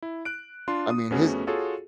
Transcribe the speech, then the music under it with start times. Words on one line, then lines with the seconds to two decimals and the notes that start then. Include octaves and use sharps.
I mean, his
0.02 E4
0.25 F#6 D7
0.68 D4 F4 C6
0.90 D#6
1.11 F2 A3 B3 C#4 F#4 G#4
1.47 F4 F#4 G#4 A4 C#5